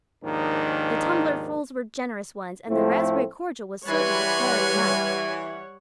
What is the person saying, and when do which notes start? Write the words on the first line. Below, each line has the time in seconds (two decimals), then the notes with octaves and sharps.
The tumblerfuls were generous ones and the raspberry cordial was certainly very nice.
0.24 D#2 G#2 D#3 F3 D4 A#4
2.68 A2 F3 A3 C4 E4
3.88 E3 G3 B4 C#5 F#5 G#5 C6 F#6